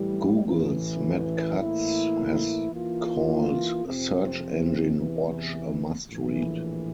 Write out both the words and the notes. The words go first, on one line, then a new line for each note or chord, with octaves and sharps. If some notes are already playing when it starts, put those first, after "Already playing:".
Google's Matt Cutts has called Search Engine Watch a must read.
Already playing: A2 E3 G3
A1 A2 E3
A2 E3 A#3 E4
E3 A#3 F4
F2 C3 F3 C4
E2 C3 E3
A#1 A2 E3